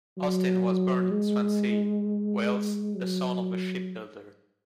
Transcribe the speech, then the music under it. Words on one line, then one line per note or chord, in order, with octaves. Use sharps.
Austin was born in Swansea, Wales, the son of a shipbuilder.
F#3
G#3
F#3